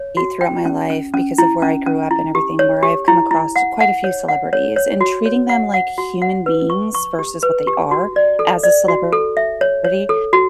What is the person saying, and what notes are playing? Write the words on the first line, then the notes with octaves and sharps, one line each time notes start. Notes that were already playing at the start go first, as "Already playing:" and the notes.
throughout my life, because of where I grew up and everything, where I've come across quite a few celebrities, and treating them like human beings, versus what they are as a celebrity
Already playing: C#5
F#4
G5
C#4
C#4
C#4
E4
C#4
C#4
E4
G4
C#5
G4
E4
E4
F#5
F#5
C#5
F#5
C#5
C#5
F#4
C#5
F#5
F#5
F#4
F#5
B4
C#6
C#6
G4
B4
G4
F#4
D5
A4
D5
F#4
A4
E5
C#5
C#5
A4
F#4